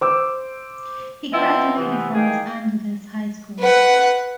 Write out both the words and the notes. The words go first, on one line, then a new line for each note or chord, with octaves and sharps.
He graduated from Los Angeles High School.
C5 D6 E6
F3 B3 E4 D#5 G5
C3 E3 B3
D#3 E3 A#3 G#4 D#5 G5
B4 F#5